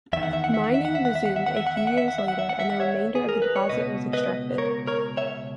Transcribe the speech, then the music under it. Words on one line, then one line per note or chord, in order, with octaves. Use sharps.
Mining resumed a few years later and the remainder of the deposit was extracted.
E2 D#3 E5
F#5
E5
F#5
E5
F#5
E5
F#5
E5
F#5
E5
F#5
E5
F#5
E5
F#5
E5
F#5
E5
F#5
E5
F#5
E5
F#5
E5
F#5
C#5 E5
G#4
A#4
B4
C#5
C#2 B2 B4 D#5
B4 D#5
A#4 C#5
A#4 C#5
C#5 E5